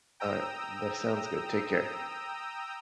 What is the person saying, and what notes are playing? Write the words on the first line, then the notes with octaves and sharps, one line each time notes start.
Alright. That sounds good. Take care.
G5 A#5 D#6 E6